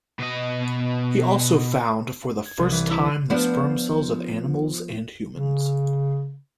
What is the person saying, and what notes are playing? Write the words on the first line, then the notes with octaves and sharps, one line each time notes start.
He also found for the first time the sperm cells of animals and humans.
B2 D#5
G#6
C2
E3
E4
F3 B3 D4
C#3